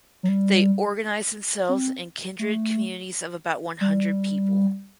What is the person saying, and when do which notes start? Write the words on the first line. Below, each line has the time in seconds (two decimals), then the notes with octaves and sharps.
They organised themselves in kindred communities of about one hundred people.
0.23 F#3
0.29 G3
1.69 C4
2.39 A3
3.81 G3